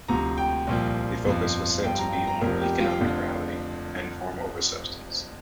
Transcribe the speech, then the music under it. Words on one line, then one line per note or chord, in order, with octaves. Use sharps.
The focus was said to be on 'economic reality', and form over substance.
D2 C3 F3 A#5
G5
C2 A#2 F3
G1 F2 F3
G1 G2 F3 G5
A#5
G5
A#5
F1 F2 C3 F3 A#4
G4
F4
F1 F2 D3 F3